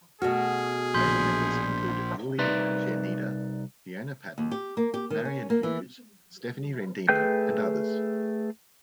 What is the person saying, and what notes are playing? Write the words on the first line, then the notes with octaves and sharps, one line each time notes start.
Later members included Julie Czerneda, Fiona Patton, Marian Hughes, Stephanie Rendino and others.
B2 A3 F#4 G#4 F6
A#1 C6 G6 B6
C2 D#4 B4 D5 E5 C6
D#2
G4
A#3
G4
D#3
C#4
A#3
E3
A3 G#4 B4 G5 G6